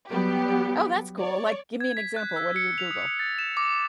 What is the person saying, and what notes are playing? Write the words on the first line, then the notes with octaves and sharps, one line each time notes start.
Oh, that's cool, like, give me an example. What do you Google?
F#3 G3 B3 G4
C#5 D5
G#6
B6
F#6
E6
C#7
F7
D#6
F7
A6
E7
D6